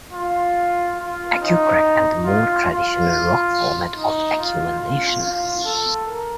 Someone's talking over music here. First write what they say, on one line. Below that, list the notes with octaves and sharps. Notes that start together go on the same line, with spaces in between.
Acucrack, and the more traditional rock format of Acumen Nation.
F4
F4
D#4
F4
F4
D#4
F4
F4
F4
A4
A#4